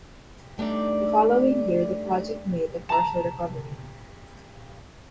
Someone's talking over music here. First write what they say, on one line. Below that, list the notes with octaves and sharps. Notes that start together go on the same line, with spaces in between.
The following year the project made a partial recovery.
G3 A3 D4 D#4 D5
A5 A#5